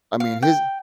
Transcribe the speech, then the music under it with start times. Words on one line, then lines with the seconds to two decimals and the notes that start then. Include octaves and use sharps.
I mean, his
0.20 F5
0.42 G5